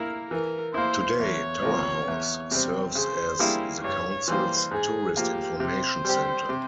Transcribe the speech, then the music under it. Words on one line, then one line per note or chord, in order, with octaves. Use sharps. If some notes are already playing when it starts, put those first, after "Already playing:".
Today, Tower House serves as the Council's Tourist Information Centre.
Already playing: A#3 E4 A#4
E3 A#4
A#3 E4 C5
E2 C#5
C3 F3 A#3
E2
C3 G3 C4
C#3 C5
G3 A#3 E4 G#4
G2 C#5
E3 G3 A#3 C5
G#2 G#4
F3 A#3 F4 G4
C3 C5
G3 C4 G4
C3